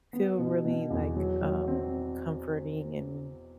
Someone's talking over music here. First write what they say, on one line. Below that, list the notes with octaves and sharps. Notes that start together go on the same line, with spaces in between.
feel really, like, um, comforting, and
B3
B2
B2
E2
F#3
F#3
C4